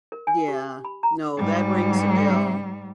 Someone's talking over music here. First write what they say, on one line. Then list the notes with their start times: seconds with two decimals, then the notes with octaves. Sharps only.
Yeah. No, that rings a bell.
0.12 A#4
0.27 G#5
0.48 G4
0.85 B5
1.03 A#5
1.37 G#2 G3